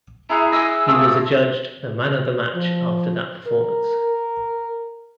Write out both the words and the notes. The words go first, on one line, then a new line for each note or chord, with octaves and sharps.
He was adjudged the man of the match after that performance.
E4 G#4 F#5 A#5
D#5 G#5 E6
F3 A3 A#3
F3
A#4